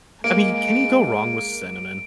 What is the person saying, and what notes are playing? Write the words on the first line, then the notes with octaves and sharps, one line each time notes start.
I mean, can you go wrong with cinnamon?
G#3 A#3 D7